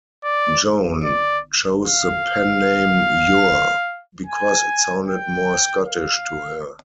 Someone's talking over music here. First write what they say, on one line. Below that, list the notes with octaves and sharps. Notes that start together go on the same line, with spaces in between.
Joan chose the pen-name "Ure", because it sounded more Scottish to her.
D5
D5
F5
G#5
G5
F5